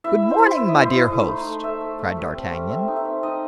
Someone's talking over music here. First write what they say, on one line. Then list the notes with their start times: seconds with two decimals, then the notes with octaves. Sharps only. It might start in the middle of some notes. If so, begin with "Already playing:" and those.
"Good-morning, my dear host," cried D'Artagnan.
0.04 E4 E5
0.22 E4
0.30 C5
0.39 E4
0.57 E4 E5
0.68 D#5
0.75 E4 C5
0.90 E4 D#5
1.11 A3
1.28 D#4
1.47 A3
1.64 A3 E5
1.81 A3
1.99 A3
2.17 G3
2.35 C4
2.52 G3
2.70 C4 E5
2.88 D#4
2.96 E5
3.05 C4
3.23 D#4 D#5